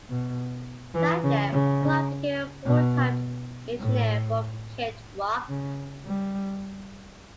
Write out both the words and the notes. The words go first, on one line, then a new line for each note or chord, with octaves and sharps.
That year, Clark became a full-time engineer for Kid Rock.
B2
E3
C#3
C#3
B2
A2
C#3
G3